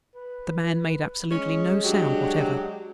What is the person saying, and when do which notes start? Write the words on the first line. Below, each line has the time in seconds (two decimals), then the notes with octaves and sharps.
The man made absolutely no sound whatever.
0.15 B4
1.31 G#3 C#4
1.84 F#3 D4 F#4 G4